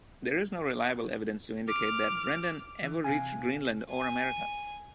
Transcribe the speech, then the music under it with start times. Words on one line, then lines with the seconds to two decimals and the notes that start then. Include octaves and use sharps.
There is no reliable evidence to indicate that Brendan ever reached Greenland or America.
1.68 D6 F6
2.82 E3
3.04 C3 F5 G#5
3.92 G#5